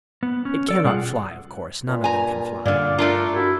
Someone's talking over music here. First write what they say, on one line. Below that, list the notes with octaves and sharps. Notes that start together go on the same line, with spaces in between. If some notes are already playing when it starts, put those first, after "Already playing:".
It cannot fly, of course: none of them can fly....
B3
C#4
A4 D5
B2 G3 F4 G#4 F#5
G2 A#2
G#5 A#5
G2 A#2 D3 D5 F5
A3 D4 F4 A#4
E4 F#4 A#4